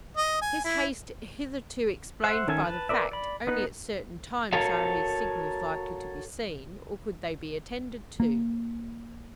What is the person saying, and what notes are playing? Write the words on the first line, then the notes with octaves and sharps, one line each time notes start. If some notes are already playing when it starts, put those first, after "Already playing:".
His haste hitherto explained by the fact, only at certain times are his signals likely to be seen, or could they be attended to.
D#5
G#5
E4
C5 E5 F#5
D#3 C#4 A4 E5 G#5
B4 A5
A#4 B4 D5 E5
D5 B5
B3 D#4 B4
F#4 A4 A#4 C#5 F5
A#3